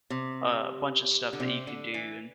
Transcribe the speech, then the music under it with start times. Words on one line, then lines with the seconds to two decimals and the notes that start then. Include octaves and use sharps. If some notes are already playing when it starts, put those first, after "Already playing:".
a bunch of stuff that you could do and
0.10 C3
1.33 D3
1.40 C3
1.67 D3
1.94 E3